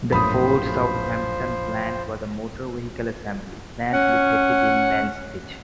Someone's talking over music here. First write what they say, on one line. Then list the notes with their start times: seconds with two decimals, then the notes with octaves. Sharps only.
The Ford Southampton plant was a motor vehicle assembly plant, located in Mansbridge.
0.12 A#1 F#2 A2 F3 C5 B5 D#6
3.93 C#4 F#5